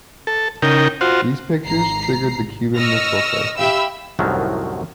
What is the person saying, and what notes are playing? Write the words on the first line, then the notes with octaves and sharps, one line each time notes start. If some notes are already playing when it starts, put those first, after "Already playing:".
These pictures triggered the Cuban Missile Crisis.
A4
C#3 D#4 A#4 G5
F4 F#4 C5
G#1 A#5 C7
D#5 C#6 E6 F6 A#6
G4 E5 F5 G5 B5 E6
C2 F#2 A2 D#3 F3 F#3